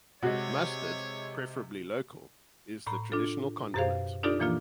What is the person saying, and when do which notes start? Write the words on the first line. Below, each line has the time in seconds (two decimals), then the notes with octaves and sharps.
Mustard, preferably local, is the traditional condiment.
0.22 C3 G#3 F#4 C#5
2.87 A2 A#5 B5
3.12 D4 F4 A4
3.74 F#2 B2 G4 G#4 C5 F5
4.23 D4 D#4 F4 G4 A4 D5
4.40 A#2 E3 F3 A#3 D4 F4